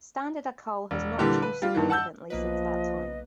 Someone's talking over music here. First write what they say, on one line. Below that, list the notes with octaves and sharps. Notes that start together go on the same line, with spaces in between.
Standard Acol has not changed significantly since that time.
E1
A#2 D3 E3 G3
B4
G3 F4
G2 D#3 E3
F#5 A5 E6 G6
B1 F3 A#3 B4 D#5